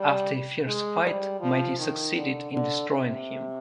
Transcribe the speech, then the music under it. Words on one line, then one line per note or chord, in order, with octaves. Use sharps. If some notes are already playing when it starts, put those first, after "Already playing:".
After a fierce fight, Maddie succeeded in destroying him.
Already playing: G3
G#3
G3
F3
D#3
D3
D3
C3